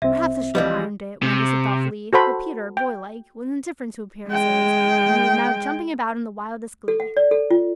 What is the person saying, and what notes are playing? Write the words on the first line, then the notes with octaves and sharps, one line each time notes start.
"Perhaps I should have ironed it," Wendy said thoughtfully, but Peter, boylike, was indifferent to appearances, and he was now jumping about in the wildest glee.
C2 C4 E5
E3 F3 G3 D#5
C3
F#4 A4 C5 B5
G5
G#3 G5
A4
F#5
D5
A4
F4